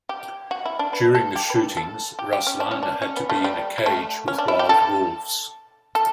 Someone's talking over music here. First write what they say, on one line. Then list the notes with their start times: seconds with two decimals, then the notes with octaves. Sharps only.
During the shootings, Ruslana had to be in a cage with wild wolves.
0.09 G4
0.51 F#4
0.66 E4
0.79 D4
0.93 B4
1.15 A4
1.36 G4
1.50 B4
1.55 A4
1.77 A4
2.19 G4
2.33 G4
2.47 C#4
2.60 D4
2.71 C#4
2.83 D4
3.02 C#4
3.17 B3
3.30 A3
3.44 G3
3.78 G3
3.86 A3
4.28 C#4
4.38 D4
4.48 E4
4.59 G4
4.69 A4
5.95 A4